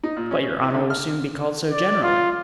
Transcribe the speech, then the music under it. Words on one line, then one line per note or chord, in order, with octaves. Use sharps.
"But your honor will soon be called so generally."
D#4
A#2
C#4
E4
D3
F6
D5
F4